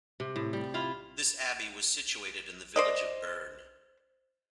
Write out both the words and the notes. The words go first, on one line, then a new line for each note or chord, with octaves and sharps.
This abbey was situated in the village of Bern.
C3
A2
G3
E4 F4 F5
C5 D5 D#5